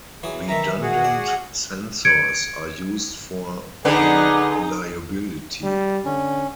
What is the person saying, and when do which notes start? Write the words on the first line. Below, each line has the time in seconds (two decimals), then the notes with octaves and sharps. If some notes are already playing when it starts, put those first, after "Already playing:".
Redundant sensors are used for reliability.
0.23 E3 F#3 G#4
0.49 D#3 E3 E5 A#5
0.82 F#4 G#4 F#5
1.04 D5
2.05 G#6 C#7 D7
3.85 D3 D#4 G#4 B4
5.63 G3
6.05 D3 C#4